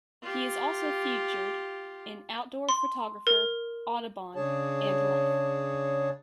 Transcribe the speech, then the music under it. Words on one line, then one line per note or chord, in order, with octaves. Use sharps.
He is also featured in "Outdoor Photographer", "Audubon", and "Life".
F4 G4
C6
A#4
C#3 D4 G#4 C#5 A5